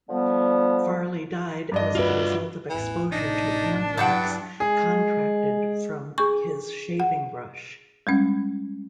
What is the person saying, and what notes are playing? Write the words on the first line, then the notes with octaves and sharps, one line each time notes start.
Farley died as the result of exposure to anthrax contracted from his shaving brush.
D3 F3 G3 B3
G2 D4 D#5
F4 F#4 B4 E5
A1 E2 E3
A1 C3 D4 D#4
G2 F#3 E4 F#5 G5 A5
G#3 G#4
D4 G#4 C#6 G6
F#5
G3 G#3 C#4